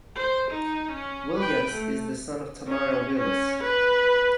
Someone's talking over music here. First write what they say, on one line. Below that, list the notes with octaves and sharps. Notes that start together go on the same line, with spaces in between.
Williams is the son of Tamara Willis.
C5
D#4
C#4
B4 G5
A3
C#4
C#4
B4